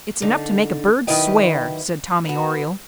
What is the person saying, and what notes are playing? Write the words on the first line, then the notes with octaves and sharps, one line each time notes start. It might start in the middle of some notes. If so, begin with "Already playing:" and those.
"It's enough to make a bird swear," said Tommy Oriole.
D3 D#4
D#3 F#3 E4 B4 D#5 G5
B3 F#4